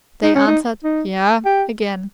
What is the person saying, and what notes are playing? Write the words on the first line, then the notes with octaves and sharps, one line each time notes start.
They answered "yea" again.
D#4
C#4
D#4
D#4
G4